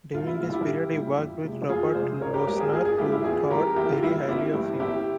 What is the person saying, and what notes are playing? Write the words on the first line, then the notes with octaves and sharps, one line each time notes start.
During this period he worked with Robert Lochner, who thought very highly of him.
C2 F4
E4
A#2 G3 F4
E4 G4
C2
A#2 G3
F2
C3 F3 G#3
F2 F4 G#4
C3 F3 G#3 G#4 C5
G#1 A#4 C#5
G4 A#4
G2 F3 G#3 G4 A#4
F4 G#4
G#1 F4 G#4
F4 G#4
G2 F3 G#3 E4 G4
E4 G4
E2 F4 G#4
E3 G3 G4 A#4
E2 E4 G4
F4
E3 G3 E4
F4
G1 E4 G4
G2 E3 G3
G1 E4 G4